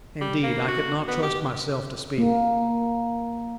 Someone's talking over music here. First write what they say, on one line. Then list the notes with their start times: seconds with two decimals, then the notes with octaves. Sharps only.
Indeed, I could not trust myself to speak.
0.21 G3
0.43 A#3
0.68 F#4
1.08 B3
1.23 G4
2.18 A#3